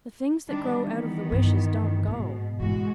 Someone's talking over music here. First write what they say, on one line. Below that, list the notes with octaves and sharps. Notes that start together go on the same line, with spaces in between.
'The things that grow out of the wishes don't go.
D#3 G3 D4
D#3 E3 B3
E2 G2
G#2 B2
G#2 B2 E3 G#3 F#4